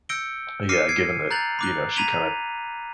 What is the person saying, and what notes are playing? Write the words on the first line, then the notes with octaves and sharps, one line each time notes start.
Yeah, given that, you know, she kind of
E6 G6 A#6 C#7 D7 G7
D6 F6 A#6 C7 C#7 D#7
G#6 C7 D7
A#5 F#6 G6 A6 F7 F#7
B5 D6 F#6
A#5 B5 G#6 B6 D#7 F7